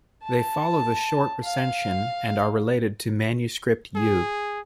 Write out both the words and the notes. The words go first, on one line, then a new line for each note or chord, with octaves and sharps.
They follow the short recension and are related to Manuscript U.
A5
F5
G#4